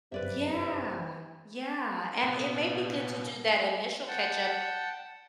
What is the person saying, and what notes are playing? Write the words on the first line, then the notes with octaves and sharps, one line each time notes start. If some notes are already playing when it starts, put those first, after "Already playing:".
Yeah. Yeah, and it may be good to do that initial catch-up
G1 F#2 C3 B4 D5 E5
A#2 B3
F#5 G5 A5